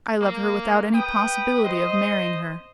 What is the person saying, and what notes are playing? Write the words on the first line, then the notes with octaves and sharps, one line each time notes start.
I love her without any possibility of marrying her.
A#3
B4 G5 D#6
C5 D#5